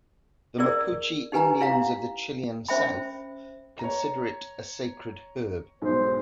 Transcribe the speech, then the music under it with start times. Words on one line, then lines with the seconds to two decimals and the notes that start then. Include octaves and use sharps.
The Mapuche Indians of the Chilean south consider it a sacred herb.
0.58 E4 G#4 A#4 D5 E6
1.32 D#4 G4 B4 G#5 A#5
1.61 E4 F5 A#5
2.68 C#4 C5 E5 G5 B5
3.79 C#5 A#5
5.82 B1 G#2 C5